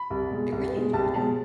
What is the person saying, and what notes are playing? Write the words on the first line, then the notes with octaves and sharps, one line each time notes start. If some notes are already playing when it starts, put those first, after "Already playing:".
I really enjoyed it.
Already playing: B5
C2
B2 G#3
C2
B2 G#3
C2 A5
B2 G#3 A5